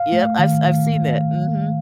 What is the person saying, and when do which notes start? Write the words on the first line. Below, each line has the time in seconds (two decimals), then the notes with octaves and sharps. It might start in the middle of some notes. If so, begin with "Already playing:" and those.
Yep, I've I've seen that, mhm.
Already playing: F5
0.12 A3
0.39 D#3
0.66 D#3